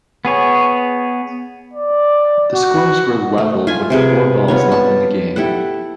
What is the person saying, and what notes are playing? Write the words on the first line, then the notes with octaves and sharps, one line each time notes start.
The scores were level with four balls left in the game.
B3 G#4 C#5
D5
F#4
A3
F4 G#5
C3 C4 G#4 B4
B3 F4 C#5
A5
E4 G4 A4 F#5